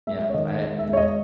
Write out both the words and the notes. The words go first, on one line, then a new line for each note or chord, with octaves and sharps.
Yeah. I
G#3 E5
C#5
D#3 D#5
G#3
E5
G#3
C#5
D#5